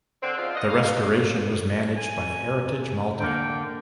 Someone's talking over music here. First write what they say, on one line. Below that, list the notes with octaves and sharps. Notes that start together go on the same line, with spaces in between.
The restoration was managed by Heritage Malta.
D3 C4
C#3 F3 C4 D#4 F4
B3 D#5
F5
E2 C3
G#5
D3 A#3 G5